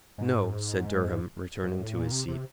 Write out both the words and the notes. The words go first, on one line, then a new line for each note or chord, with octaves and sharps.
"No," said Durham, returning to his seat.
G#2
G2
A2
A#2
C3
C3